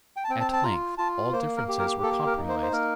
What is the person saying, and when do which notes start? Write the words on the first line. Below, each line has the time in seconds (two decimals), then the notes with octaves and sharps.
At length all differences were compromised.
0.16 G5
0.24 A5
0.29 C4 G5
0.40 A5
0.53 A5
0.64 F4 A#5
0.98 F4 A5
1.33 A#3 C5
1.57 A#4
1.68 G4
1.79 A#4
2.03 A#3 A4
2.27 A#4
2.37 D#4
2.49 C5
2.62 C5
2.72 A#3 A#4